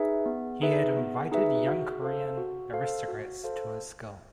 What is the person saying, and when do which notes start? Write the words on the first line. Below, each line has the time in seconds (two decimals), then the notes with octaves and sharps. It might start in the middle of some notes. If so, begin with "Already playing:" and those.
He had invited young Korean aristocrats to his school.
Already playing: D#4 G#4 B4 E5
0.26 B3
0.61 D#4 G#4 B4 E5
0.96 B3
1.31 D#4 G#4 B4 E5
1.67 F#4
2.02 A4 C5 F5
2.38 F#4
2.73 A4 C5 F5
3.08 F#4
3.44 A4 C5 F5